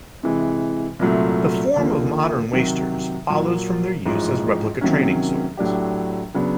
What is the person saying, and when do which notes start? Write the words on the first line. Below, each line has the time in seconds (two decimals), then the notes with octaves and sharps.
The form of modern wasters follows from their use as replica training swords.
0.23 C3 E3 G#3
0.99 C2 A#2 F#3 A3
1.76 D#2 D3 F3 A#3
2.53 C3 D#3 F#3
3.29 A#2 F#3 A#3
4.06 A1 G#2 F3
4.81 C3 D#3 F#3 A#3 C#4
5.57 A2 F#3 A3 D4 G4
6.34 C#3 F#3 B3 D4